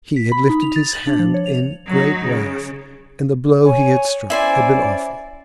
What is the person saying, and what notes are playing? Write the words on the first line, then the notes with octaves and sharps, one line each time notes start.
He had lifted his hand in great wrath, and the blow he had struck had been awful.
B6
B5
D#4
F7
A6
F#7
D4
F3
C#5
F7
F#3 D#4
C#3
C#5 G#5
C#4 E4 C5 D5 G#5